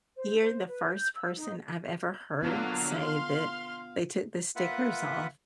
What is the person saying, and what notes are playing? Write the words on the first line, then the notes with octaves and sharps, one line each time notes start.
You're the first person I've ever heard say that they took the stickers off
C5
C5
B4
G6
E6
D#4
D3 F#3 A#3 B3 F4 F5
C6 F6
A#3 F4 B4 E5 F#5